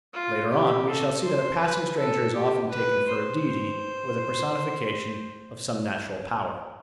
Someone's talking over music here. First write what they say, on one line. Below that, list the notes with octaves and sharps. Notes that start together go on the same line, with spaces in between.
Later on we shall see that a passing stranger is often taken for a deity or the personification of some natural power.
F4
G4
A4
C5
B4
A4
G4
B4
C5